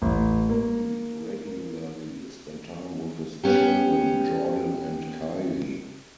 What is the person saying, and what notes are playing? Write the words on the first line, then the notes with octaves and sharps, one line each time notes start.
He regularly spent time with his children, Jordan and Kylie.
A1
A#3
A#4
B3 C#4 G4